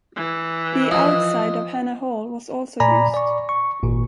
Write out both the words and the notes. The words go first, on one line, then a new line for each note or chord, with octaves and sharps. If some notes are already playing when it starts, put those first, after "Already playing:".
The outside of Hannah Hall was also used.
E3
F3 D#5
A#2 D5 G#5 A#5 B5
D5 C#6
C#6
G#1 A#2